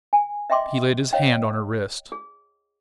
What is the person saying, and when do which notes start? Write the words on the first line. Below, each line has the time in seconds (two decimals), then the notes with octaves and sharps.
He laid his hand on her wrist.
0.13 G#5
0.50 D#5 E5 G5 C6 D6
1.13 C#5 D#5 F5 G5
2.12 G#4